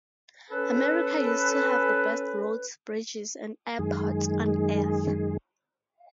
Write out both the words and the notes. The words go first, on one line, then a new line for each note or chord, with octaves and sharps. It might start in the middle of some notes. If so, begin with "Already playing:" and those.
America used to have the best roads, bridges, and airports on Earth.
C#4 A4 B4
F#2 D#3 G#3 G#4